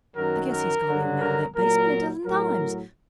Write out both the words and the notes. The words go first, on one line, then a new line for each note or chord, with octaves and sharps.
I guess he's gone in and out of that basement a dozen times.
F#2 D#3 F#3 A#4
A#4
G2 D3 F#3
A#4
A#2 F#3 A#4
A2 F#3 A#4